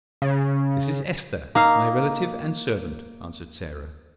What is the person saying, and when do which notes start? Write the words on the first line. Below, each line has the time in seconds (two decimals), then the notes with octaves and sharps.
"This is Esther, my relative and servant," answered Sarah.
0.22 C#3
1.55 A#3 D#4 F5